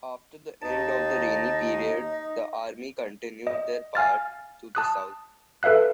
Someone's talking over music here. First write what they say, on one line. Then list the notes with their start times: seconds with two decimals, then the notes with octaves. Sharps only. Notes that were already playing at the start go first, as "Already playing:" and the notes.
After the end of the rainy period, the army continued their path to the south.
0.62 D#2 D#4 D#5 A5
3.47 D#5
3.95 F5 G#5 F6 A6
4.75 A5 D#6 F#6
5.63 A4 B4 E5 F5 F#6